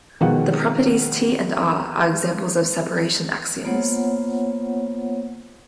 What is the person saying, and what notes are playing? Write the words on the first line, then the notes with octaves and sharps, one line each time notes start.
The properties T and R are examples of separation axioms.
B2 D#3 F3 G#3 F#5
A#3 B3 F4 C5 C#5 F#5